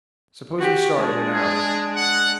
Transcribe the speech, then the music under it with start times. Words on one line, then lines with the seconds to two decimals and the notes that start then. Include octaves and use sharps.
Suppose we start in an hour.
0.59 F#4 G4
0.96 G#3 D4
1.33 G#4
1.96 F#5